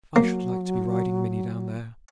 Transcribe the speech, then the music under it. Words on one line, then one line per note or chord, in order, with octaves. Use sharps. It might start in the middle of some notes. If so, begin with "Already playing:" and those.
'I should like to be riding Minny down there!
F#3 A#3